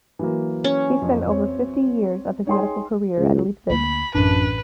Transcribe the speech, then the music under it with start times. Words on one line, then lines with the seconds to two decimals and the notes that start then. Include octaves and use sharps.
He spent over fifty years of his medical career at Leipzig.
0.19 E3 F#3 A#3
0.64 C#4
1.02 F2
1.30 C4 C#5
2.47 D#4 G#4 C#5 G5 C6
3.18 C#2
3.70 D2 A#3 B5
4.15 A1 F#2 C#4 D4 B4